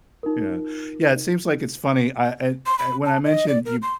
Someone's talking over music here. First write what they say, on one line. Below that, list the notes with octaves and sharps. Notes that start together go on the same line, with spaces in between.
Yeah. Yeah, it seems like it's funny. I I when I mentioned you
D#4 F4 A#4
C6
B5
A5
D#5
D5
A#4
C6